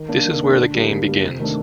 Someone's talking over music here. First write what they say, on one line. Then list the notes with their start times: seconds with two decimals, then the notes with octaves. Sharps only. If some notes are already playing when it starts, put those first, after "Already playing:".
This is where the game begins.
Already playing: D#3
0.09 A#3 D4
0.26 D#3
0.42 A#3 D4
0.58 D3
0.74 G3 A#3
0.91 D3
1.07 G3 A#3
1.24 C3
1.40 D#3 A3 D4